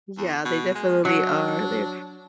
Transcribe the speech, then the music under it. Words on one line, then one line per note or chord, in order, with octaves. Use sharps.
Yeah, they definitely are, they're
E2
B2
G#3
F#3 D4